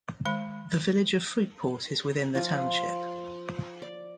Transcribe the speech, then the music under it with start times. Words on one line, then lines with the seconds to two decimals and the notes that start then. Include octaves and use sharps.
The village of Fruitport is within the township.
0.25 D#3 G#3 B5
2.35 F3 F4
3.82 D5